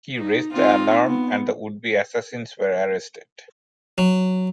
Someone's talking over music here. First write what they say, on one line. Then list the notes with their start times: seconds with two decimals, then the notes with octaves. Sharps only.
He raised the alarm and the would-be assassins were arrested.
0.16 D#4
0.53 C4 D#4 F4
1.06 B3
3.98 F#3